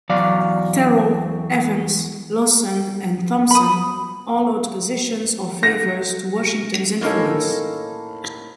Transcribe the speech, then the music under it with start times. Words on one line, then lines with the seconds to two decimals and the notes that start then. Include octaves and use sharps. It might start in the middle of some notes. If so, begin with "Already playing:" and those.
Terrell, Evans, Lawson, and Thompson all owed positions or favors to Washington's influence.
0.09 E2 F#3 D5 F5
3.51 B5 D#6
5.63 A#6
7.01 A2 A#3 C#4 D#4 A4